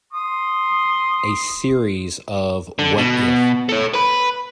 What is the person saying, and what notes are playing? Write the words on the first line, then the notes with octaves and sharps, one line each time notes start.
A series of What If?
C6 D#6
D3
B2
A4 C#5
B4 B5